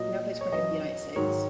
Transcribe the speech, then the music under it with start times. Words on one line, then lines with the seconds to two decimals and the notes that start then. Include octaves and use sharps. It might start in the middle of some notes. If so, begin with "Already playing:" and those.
He now plays cricket for United States.
Already playing: A#2 F#3 D#5
0.41 C#5
0.52 F#2 E3 D#5
1.16 G#2 D#3 F#3 C#5